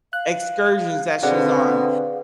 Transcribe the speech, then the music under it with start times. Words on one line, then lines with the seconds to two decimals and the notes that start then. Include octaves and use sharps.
excursions that she's on.
0.13 F5 F#6
1.23 B2 D3 C4 G#4 D5 F#5